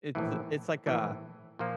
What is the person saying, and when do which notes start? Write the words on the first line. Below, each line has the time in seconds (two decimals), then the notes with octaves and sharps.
It's it's like a
0.15 A#1 A2 E3
0.86 A#1 A2 E3
1.59 A#2 F3 A#3